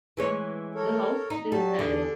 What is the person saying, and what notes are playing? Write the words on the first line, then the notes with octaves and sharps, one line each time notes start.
The house still stands.
E3 G#3 C#4
A4 A#4 C#5
D#4
F#3 G3 F#4 A5
E2 D3 D4 G#4